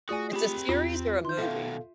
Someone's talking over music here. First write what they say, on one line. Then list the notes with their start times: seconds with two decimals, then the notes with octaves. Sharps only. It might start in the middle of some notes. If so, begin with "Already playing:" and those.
It's a series or a movie?
0.09 A3 F4 F#4 G#4 D5 G#5 D#6
0.33 C4 G4 B5
0.69 E2 F4
1.25 D#3 D#4 C6 G6
1.38 B2 D#3 A4 E5 F5